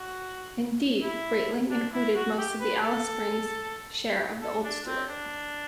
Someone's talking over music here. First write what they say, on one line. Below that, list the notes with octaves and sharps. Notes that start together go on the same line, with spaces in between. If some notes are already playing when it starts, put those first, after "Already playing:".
Indeed, Braitling included most of the Alice Springs share of the old Stuart.
Already playing: F#4
E4
D4
E4
F#4
G4
B4
A4
A4
D4
C4
D4